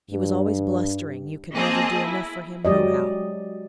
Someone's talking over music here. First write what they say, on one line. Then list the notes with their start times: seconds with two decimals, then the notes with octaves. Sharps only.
He was always blustering, you could never do enough for him no how.
0.11 G2
1.55 A#3 C4 G#4 D#5 A5
2.04 E4
2.65 F#3 G#3 G4 D5 D#5